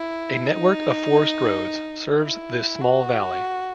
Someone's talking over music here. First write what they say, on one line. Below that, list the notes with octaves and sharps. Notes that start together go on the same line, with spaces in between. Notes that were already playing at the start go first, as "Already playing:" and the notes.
A network of forest roads serves this small valley.
Already playing: E4
D#4
E4
F#4